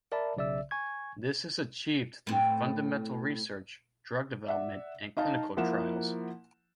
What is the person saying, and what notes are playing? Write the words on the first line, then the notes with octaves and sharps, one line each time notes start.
This is achieved through fundamental research, drug development and clinical trials.
A#4 D5 E5 A5 B5
B1 C#3 D5 E5 E6
G#5 C#6 G#6
A2 C4
D5 E5 F#5
D#4 D#5 F5 A5
F3 A#3 E4 F#5 E7